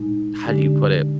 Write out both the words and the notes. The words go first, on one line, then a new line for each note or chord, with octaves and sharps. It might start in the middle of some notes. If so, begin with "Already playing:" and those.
how do you put it?
Already playing: A#2 G#3 D#4
D3 G#3 D4 G4